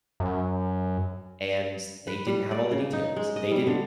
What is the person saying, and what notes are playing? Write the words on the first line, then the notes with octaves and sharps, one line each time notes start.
and they didn't have all the details, they didn't
F#2
B4
G3
D5
C#3
D#4
G#3
D#5
G3
D3